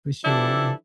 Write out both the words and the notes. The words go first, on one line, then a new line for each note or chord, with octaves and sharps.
For sure.
E3 F3 D4 E4 G4 A4